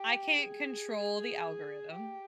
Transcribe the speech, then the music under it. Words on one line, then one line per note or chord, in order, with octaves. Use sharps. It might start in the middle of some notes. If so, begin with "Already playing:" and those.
I can't control the algorithm,
Already playing: G4
G#4
G4